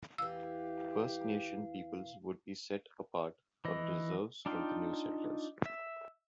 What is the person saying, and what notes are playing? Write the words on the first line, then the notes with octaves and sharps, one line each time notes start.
First Nation peoples would be set apart on reserves from the new settlers.
E2 E3 G4 F5 E6
E3 D#5
D4 D#4 F4 G5
E5